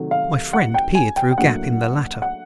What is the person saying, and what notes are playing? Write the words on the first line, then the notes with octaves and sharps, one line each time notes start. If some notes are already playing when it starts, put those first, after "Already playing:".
My friend peered through a gap in the latter.
Already playing: C3 D#3 F#3 A3
F5
F#5
G5
G#5
G5
G5
A2 F#3 A#3 D4 F#5
F#5